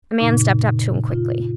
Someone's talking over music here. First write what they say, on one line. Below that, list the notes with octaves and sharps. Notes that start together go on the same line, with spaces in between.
A man stepped up to him quickly.
F#2 A#2 C#3 D#4
F4